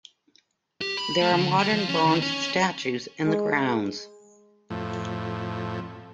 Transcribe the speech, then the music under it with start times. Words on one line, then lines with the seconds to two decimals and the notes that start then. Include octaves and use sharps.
There are modern bronze statues in the grounds.
0.81 G4
0.97 B5
1.21 A3
1.33 D3
1.58 G3
1.73 F3
1.88 C#4
2.06 D#3
2.22 C#4
3.25 G#3
4.70 F2 A2